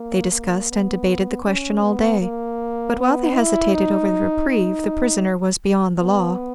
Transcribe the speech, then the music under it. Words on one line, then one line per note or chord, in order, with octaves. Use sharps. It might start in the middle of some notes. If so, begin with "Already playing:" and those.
They discussed and debated the question all day; but while they hesitated over the reprieve, the prisoner was beyond the law.
Already playing: A#3
A#3
B3
C#4
B3
A#3
B3
E4
D#4
D#4
B3